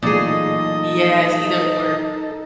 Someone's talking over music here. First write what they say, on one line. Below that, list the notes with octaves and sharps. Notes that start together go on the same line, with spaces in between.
yes, either, or.
A#2 E3 F#3 A3 D#4 G#4 A4 D#5